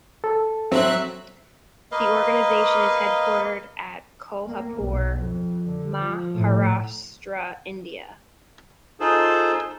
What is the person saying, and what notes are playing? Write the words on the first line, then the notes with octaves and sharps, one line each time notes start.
The organisation is headquartered at Kolhapur, Maharashtra, India.
A4
F#3 C4 E5 F#6
A#3 B4 D#5 F5
A#3
B1
F2
D3
F3
A2
D#4 F4 G#4 A4 C5